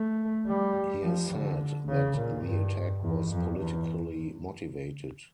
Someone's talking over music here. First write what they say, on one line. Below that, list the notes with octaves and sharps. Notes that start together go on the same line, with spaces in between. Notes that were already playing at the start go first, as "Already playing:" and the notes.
He has said that the attack was politically motivated.
Already playing: A3
G3
F3
D3
C#3
A#2
G2
E2
F2
E2